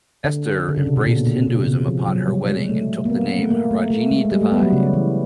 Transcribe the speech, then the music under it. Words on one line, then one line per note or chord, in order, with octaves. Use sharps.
Esther embraced Hinduism upon her wedding and took the name "Ragini Devi".
D3
D3
C#3
C3
B2
A#2
B2
B2
C#3
C3
F3
F#3
G3
G#3
A3
A#3
B3
A3
A#3
A3
A3
G#3
G#3
G3
A3
B3
G3
F#3
C#3
E3